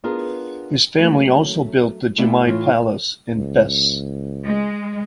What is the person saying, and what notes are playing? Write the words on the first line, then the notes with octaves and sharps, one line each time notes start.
His family also built the Jamai Palace in Fes.
B3 D4 F4 G#4 A#4
F#3 A3 A#3 C#4
A3 E4 D5 E5 F5 G5
A2 E3 F4 C#5
C#2
G#3